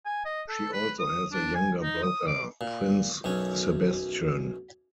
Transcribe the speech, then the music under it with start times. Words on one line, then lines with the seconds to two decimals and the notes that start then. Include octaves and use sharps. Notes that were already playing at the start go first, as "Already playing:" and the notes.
She also has a younger brother, Prince Sebastian.
0.05 G#5
0.25 D#5
0.49 A4
0.73 B4
0.99 D#6
1.32 D4
1.54 G#5
1.82 D#4
2.03 D#6
2.27 D6
2.61 A#2
3.24 B1 F#2 C#4